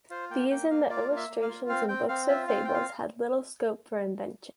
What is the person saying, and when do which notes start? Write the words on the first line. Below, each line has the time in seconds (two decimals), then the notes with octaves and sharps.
These and the illustrations in books of fables had little scope for invention.
0.10 F4 C5
0.30 A#3 G5
0.50 A#3 G5
0.70 A#3 F5
0.89 F4 D5
1.10 A#3
1.17 E5
1.30 A#3
1.42 F5
1.49 F4
1.69 C4 F5
1.88 C4 G5
2.08 C4 F5
2.28 F4 E5
2.48 C4 F5
2.65 F4 G5
2.74 F5